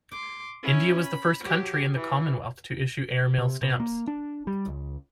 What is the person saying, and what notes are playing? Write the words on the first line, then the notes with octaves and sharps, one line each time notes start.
India was the first country in the Commonwealth to issue airmail stamps.
C6 D6
C#4 E4
B5
F#3 G4
E3
C3
B2
A#3
D4
G3
C#2